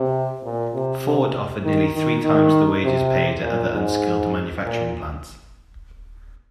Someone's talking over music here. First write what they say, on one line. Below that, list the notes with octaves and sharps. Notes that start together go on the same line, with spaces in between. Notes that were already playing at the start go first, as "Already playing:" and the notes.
Ford offered nearly three times the wages paid at other unskilled manufacturing plants.
Already playing: C3
A#2
C3
C3
D#3
D#3
D#3
C3
A#2
G#2
A#2